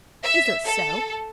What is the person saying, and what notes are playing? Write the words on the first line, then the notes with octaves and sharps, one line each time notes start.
Is this so?'
E5
A4